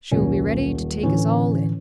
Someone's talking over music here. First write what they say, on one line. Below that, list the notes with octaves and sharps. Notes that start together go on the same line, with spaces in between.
She will be ready to take us all in.
D#1 B1 C#4
A2 D3 E3 C#4